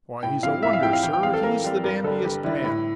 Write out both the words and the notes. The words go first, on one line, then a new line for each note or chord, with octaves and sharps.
Why, he's a wonder, sir; he's the dandiest man.
A2 G5
F3 C4 E4 G4 F5
A2 E5
F5
F3 C4 E4 G4 G5
F5
E3 G5
G5
G3 C4 G4 F5
A4
E3 A#4
G3 C4 G4
G2 A#4
D3 G3 A4
G2 G4
D3 G3 E4
A2 E4